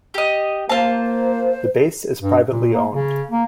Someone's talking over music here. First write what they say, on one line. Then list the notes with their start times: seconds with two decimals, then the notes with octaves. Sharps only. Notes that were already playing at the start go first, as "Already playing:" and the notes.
The base is privately owned.
0.14 G4 D#5
0.69 A#3 F4 C5 A5
2.21 G2
2.48 A#2
2.73 A#3
2.93 C#3
3.31 A#3